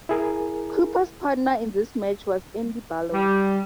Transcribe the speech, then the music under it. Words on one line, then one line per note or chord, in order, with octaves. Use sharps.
Cooper's partner in this match was Andy Barlow.
E4 G#4 A#4
G3